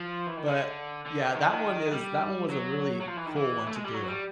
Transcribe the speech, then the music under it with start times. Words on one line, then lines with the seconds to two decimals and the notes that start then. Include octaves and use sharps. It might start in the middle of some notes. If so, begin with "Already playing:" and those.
but, yeah, that one is that one was a really cool one to do,
Already playing: F3
0.27 E3
0.37 D#3
0.48 D3
1.06 D3
1.34 D#3
1.43 D3
1.51 D#3
1.92 G3
2.50 F#3
3.01 F#3
3.08 F3
3.17 E3
3.27 D#3
3.36 E3
3.67 A3
3.75 G#3
3.85 G3
3.94 F#3
4.08 G3